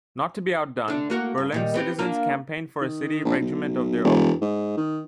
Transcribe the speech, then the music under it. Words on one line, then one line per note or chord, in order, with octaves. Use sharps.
Not to be outdone, Berlin's citizens campaigned for a city regiment of their own.
D3 D4
A#3 F#4 A#4
G2
A#2 D#3 G3
B3 C4 G4
A#3 D4 F4
D#3
A#1
B1
E1
G#2
D#3